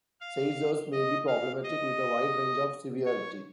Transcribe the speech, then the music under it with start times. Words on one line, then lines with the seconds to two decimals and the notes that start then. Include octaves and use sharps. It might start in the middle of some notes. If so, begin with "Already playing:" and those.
Seizures may be problematic, with a wide range of severity.
0.21 F5
0.92 D#5
1.27 F5
1.64 D#5
3.05 C#5